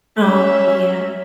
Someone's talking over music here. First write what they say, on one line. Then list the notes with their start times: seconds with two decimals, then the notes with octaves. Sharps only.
Oh, yeah.
0.20 C#4 E5